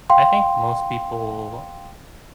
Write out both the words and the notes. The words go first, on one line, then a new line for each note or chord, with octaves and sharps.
I think most people
F5 G5 C6